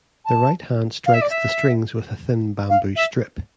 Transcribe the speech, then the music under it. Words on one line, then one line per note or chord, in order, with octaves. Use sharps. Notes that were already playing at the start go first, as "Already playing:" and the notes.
The right hand strikes the strings with a thin bamboo strip.
A5
F5
E5
D5
E5
F5
E5